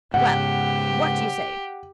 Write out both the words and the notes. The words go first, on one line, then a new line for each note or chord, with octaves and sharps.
Well, what do you say?
G#2 C#3 G4 F#5